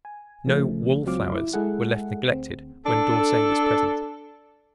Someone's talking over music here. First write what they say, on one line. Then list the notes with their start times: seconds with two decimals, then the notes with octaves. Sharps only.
No "wallflowers" were left neglected when D'Orsay was present.
0.05 G#5
0.45 A#1 C#3 F3 A3
1.06 C#2 F#3 C4 F4 F5 D6
1.33 E4
1.53 G#3 E4 G#4 A4 F#5
2.28 D2 C4
2.86 D4 A4